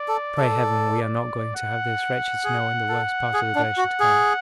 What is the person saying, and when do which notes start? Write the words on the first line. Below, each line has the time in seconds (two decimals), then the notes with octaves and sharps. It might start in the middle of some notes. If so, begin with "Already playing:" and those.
Pray heaven we are not going to have this wretched snow in the worst part of the glacier to come.
Already playing: D5
0.08 A4
0.38 A4
1.55 F#5
2.44 G#4
2.89 A4
3.34 G#4
3.55 D4
3.77 F#4
4.00 G#4